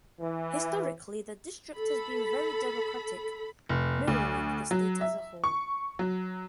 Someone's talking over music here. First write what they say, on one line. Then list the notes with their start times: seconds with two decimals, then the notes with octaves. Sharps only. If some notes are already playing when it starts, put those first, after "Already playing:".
Historically, the district has been very Democratic, mirroring the state as a whole.
0.20 E3
1.76 A4 B5
3.69 F1
4.08 D2
4.71 F#3
5.01 E5
5.44 C#6
5.99 F#3